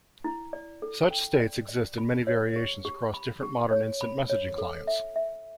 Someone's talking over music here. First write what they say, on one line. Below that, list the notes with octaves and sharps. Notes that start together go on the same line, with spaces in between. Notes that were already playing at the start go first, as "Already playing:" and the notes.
Such states exist in many variations across different modern instant messaging clients.
E4
D5
A4
G5
D5
D5
B5
C#5
G4
G4
B5
G4
C#5
B5
C#5
A4
E5
E5